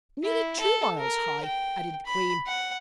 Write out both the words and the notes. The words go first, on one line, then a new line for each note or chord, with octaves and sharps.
'Nearly two miles high,' added the Queen.
E4
A4
A#4
G5
B5
F#5